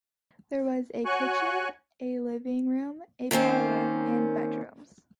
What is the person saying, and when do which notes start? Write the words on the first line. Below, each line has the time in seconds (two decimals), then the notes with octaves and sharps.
There was a kitchen, a living room, a parlor and bedrooms.
1.05 F#4 C#5 G#5 C#6 F#6
3.31 D#3 A#3 C4 C#4